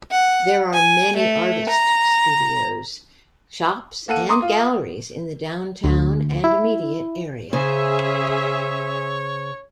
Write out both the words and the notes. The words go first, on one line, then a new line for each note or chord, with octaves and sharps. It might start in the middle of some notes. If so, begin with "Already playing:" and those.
There are many artist studios, shops and galleries in the downtown and immediate area.
F#5
G#5
A3
A#5
A#3 A4 F#5 D#7
A#5 C6 D6 D#6
F4
D2
E4
C#3 C#4 G#4 C5 C#5 E5